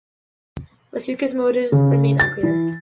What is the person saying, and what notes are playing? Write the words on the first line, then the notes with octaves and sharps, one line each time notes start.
Matuska's motives remain unclear.
C#3
A6
E3